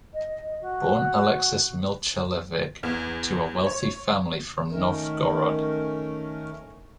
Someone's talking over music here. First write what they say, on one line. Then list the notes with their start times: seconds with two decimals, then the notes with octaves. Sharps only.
Born Alexis Milchalevich to a wealthy family from Novgorod.
0.13 D#5
0.61 F#4
2.83 E2
3.66 C#5
4.71 D#3 A3 C#4 A#4